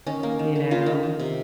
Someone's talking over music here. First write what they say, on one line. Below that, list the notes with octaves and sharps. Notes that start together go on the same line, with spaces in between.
you know,
D#3 C#4
A#3
D#3
D#3
A#3 F4
D#3
D#3
C3